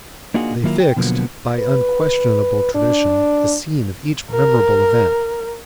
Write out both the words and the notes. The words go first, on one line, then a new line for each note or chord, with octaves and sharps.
They fixed, by unquestionable tradition, the scene of each memorable event.
A#3 D4 D#4 F4 F#4 G#4
D#3 F#3 A#3 E4 F4 A#4
G5
B2 D3 F3 F#3 A#3 B3
B4
D4
A#4